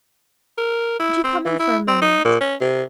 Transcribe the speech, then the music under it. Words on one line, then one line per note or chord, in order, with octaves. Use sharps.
Would you come in for a moment?
A#4
E4
C4
E3
E4
C4
D#4
A#2
C#4
C3